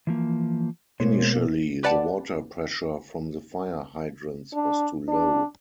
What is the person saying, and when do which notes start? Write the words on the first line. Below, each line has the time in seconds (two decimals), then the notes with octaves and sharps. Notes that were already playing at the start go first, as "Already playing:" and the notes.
Initially, the water pressure from the fire hydrants was too low.
0.07 E3 F3 A#3
1.00 B2 G#3 A#3 C5 C#5
1.83 G4 B4 D5 F#5 A5
4.53 D4
5.08 D4